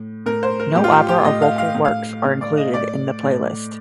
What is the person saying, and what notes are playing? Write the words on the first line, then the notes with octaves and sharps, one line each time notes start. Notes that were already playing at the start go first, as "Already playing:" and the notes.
No opera or vocal works are included in the playlist.
Already playing: A2
A2 A#4
C5
A#4
A2 G4
F4
G4
G4
A2 D#5
F5
F5
A2
F5
A2
D5
D#5
A2 D5
A2